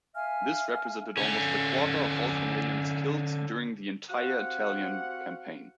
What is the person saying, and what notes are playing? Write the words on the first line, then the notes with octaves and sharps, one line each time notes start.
This represented almost a quarter of all Canadians killed during the entire Italian Campaign.
E5 F5 G#5 F6
D3 C#4
C4 F#4 G4 F5 F#5